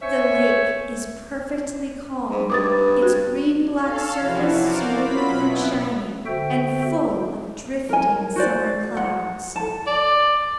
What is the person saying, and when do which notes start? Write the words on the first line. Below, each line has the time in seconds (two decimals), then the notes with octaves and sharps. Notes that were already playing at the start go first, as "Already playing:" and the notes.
The lake is perfectly calm, its green-black surface smooth and shining, and full of drifting summer clouds.
0.02 C5 C#5 E5 G#5 C#6
2.30 G#2
2.50 G2 D6 D#6 A6
3.03 F#4
3.73 A4 F5
4.17 C3 E3 F3 C#4 E4 F#4
4.56 F#4 A#4 C5 D5 F5
4.96 F#3 F4 B5 B6
5.29 B2 B3 E4
6.26 D3 F#4 A4 C5 E5 G5
7.89 A#4 G#5
8.36 F#4 C5 D5
8.97 F#5
9.56 A4 A5
9.87 D5